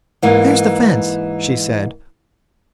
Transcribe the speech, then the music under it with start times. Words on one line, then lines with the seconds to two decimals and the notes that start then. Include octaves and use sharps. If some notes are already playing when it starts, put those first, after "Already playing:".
"There's the fence," she said.
0.22 G#2 E3 A#3